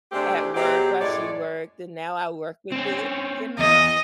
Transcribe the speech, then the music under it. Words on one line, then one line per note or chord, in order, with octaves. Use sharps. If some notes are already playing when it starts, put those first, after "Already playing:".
at work while she worked, and now I work with it. You know?
C3 G#3 A3 C4 D4 G4
B2 F#3 G#3 C4 G4
F#2 A2 G#3 C#5 D5
C4 C#4
E2 D#5